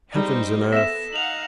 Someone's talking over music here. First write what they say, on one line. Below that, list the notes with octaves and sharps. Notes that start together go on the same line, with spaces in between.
Heavens and earth!
G3 D#4 G4 C5
B3 A4 E5 A#6 E7
D#4 F5 F#5 F7 F#7